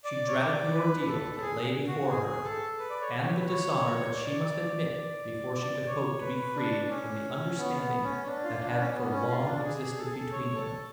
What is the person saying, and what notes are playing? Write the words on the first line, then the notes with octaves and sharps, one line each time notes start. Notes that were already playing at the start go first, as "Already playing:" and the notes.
She dreaded the ordeal that lay before her and the dishonor that she must admit before she could hope to be freed from the understanding that had for long existed between them.
D5
C#5
D5
B4
A4
A4
G#4
F#4
G#4
A4
B4
D5
C#5
C#5
B4
C#5
D5
D5
C#5
B4
D4
D4
C#4
B3
B3
C#4
D4
F4
D4
C#4
B3
C#4
F4
D4
G#4
A4
G#4
A4
C#5
A4